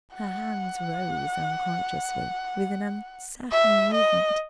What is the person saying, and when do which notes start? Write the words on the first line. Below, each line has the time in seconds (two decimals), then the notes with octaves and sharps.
Her hands rose unconsciously, with an uncertain movement.
0.15 F#5
3.51 E5
3.94 D#5